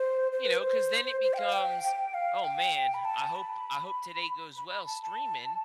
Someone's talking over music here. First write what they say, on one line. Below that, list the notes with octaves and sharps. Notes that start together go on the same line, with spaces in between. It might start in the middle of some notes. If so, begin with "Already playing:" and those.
You know? 'Cause then it becomes, "Oh man, I hope I hope today goes well streaming
Already playing: C5
C5
B4
C5
C5
G5
F5
G5
G5
F5
G5
B5
A5
B5
B5
B5
A5
A5